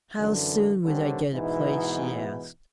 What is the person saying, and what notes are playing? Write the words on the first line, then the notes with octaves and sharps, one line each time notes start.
"How soon would I get a place?" she asked.
F#2 D3 E3
D3 D#3 G3 C4 C#4
G#2 B2 E3 B3 D#4 E4